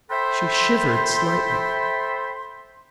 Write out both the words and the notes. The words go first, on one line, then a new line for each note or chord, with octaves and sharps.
She shivered slightly.
A4 C5 E5 G5 B5 C6